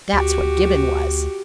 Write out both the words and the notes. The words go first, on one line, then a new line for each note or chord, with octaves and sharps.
That's what Gibbon was.
D2 F#4 G4